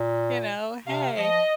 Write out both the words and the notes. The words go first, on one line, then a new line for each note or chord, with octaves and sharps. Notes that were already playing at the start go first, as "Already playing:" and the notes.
you know hey,
Already playing: A#2
C3 F5
F3 D#5